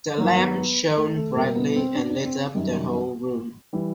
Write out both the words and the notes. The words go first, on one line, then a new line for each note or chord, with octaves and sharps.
The lamp shone brightly and lit up the whole room.
G2 D#3 F#3 A#3
B3
B3
A3
A3
B2 G3 A#3
B3
C4
D4
D4
C4
F#2 D#3 G3
E3 G3